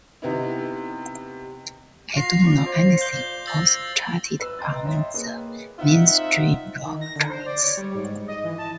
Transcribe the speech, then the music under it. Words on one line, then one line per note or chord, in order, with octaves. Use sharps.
"I Don't Know Anything" also charted on the Mainstream Rock charts.
C3 B3 D#4 E4
F4 A#6 C7 F7
D5 C#6
C5 F5
G6 G7
E6 A6 A#6
B4 E6
D#5 G5 A#5 C6 A6
C#5 D#5 E5 G5 C6
A#3 G#4 B4
C4 D#4 F4 E5 F#5
D#3
A#6
D3
C5
D5
C#5
G3
G#2
D#5
E3
A5